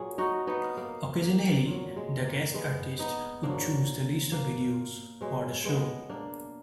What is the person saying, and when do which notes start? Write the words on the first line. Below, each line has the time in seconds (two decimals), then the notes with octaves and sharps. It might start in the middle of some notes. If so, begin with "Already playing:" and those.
Occasionally, the guest artist would choose the list of videos for the show.
Already playing: A#2 F#3 G#4
0.18 D#4 F#4
0.47 B3 D#4
0.77 A#3
1.22 A#3
1.66 A#2 F#3
1.96 G#3
2.25 A#3
2.54 G#3 B3
2.99 B3 D#4
3.43 G#2 F#3 A#3 D4
4.32 A#3
5.21 B2 F#3 G#3
5.65 G#3 B3
6.09 A#3 D4